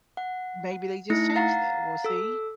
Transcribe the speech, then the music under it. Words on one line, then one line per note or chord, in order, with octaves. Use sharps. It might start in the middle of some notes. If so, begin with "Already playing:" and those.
maybe they just changed it, we'll see.
F#5
A3 D#4 E4 A#6 C#7
F5 F#5 A#5 A6 C7
A4 E6